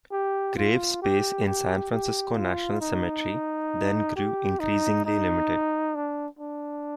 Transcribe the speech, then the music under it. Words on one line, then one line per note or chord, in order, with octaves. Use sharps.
Grave space in San Francisco National Cemetery then grew increasingly limited.
G4
F4
G4
G4
G4
F4
D#4
G4
D#4
D#4
D4
D4